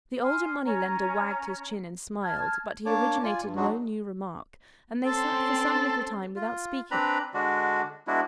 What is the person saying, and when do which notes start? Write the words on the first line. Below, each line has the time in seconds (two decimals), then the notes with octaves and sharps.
The older money-lender wagged his chin and smiled, but he originated no new remark, and they sat for some little time without speaking.
0.21 G#5 C6 F6
0.65 C#4 A#5
2.24 A5 F6 G#6
2.86 A#3 D4 C#5 A5 D6
3.23 F4 D5 G#5
3.43 G2
3.56 F#3 G#3 D4 D#4 F#4
5.06 C4 C#4 A4 C6
6.36 F4
6.91 C4 D4 B4 A#5 B5
7.34 D3 G#3 D4 F#4
8.07 G#3 B3 D4 E4 F#4